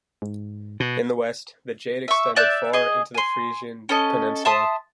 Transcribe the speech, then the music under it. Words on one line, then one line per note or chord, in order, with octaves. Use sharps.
In the west, the Jade extended far into the Frisian peninsula.
G#2
B2
E5 C#6
D5 E5 F#6 G6
G#4 D#5
G#5 C6
C#4 A4 D#5
E5 A5 C6 D#6